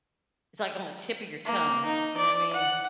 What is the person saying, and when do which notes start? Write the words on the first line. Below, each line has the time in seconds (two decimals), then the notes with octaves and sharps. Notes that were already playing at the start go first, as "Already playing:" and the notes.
it's, like, on the tip of your tongue, you know I mean?
1.45 A#3
1.85 D#4
2.17 D5
2.53 F#5